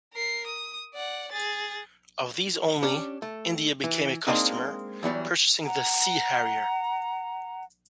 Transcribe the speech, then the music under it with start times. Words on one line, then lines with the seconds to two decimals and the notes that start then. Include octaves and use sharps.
Of these only India became a customer, purchasing the Sea Harrier.
0.13 A#4 C7
0.47 D#6
0.94 D5 F#5
1.32 G#4 A6
2.83 C#4 D4 G4
3.22 A3
3.84 E3
4.27 G#3 A#3 C4 D4 D#4
5.03 E2 E3 F#3 G3
5.65 F#5 A#5